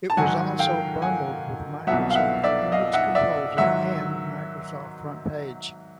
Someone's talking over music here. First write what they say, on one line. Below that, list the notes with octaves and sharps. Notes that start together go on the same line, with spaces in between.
It was also bundled with Microsoft Image Composer and Microsoft FrontPage.
A5
G#2 D#3 F#3 F#5 G#5
F5 G5
F#5 G#5
C2 B2 F#3 E5 F#5
F5
E5 F#5
D5 E5
D#5 F5
E5 F#5
D5 E5
G#2 D#3 F#3 E5 F#5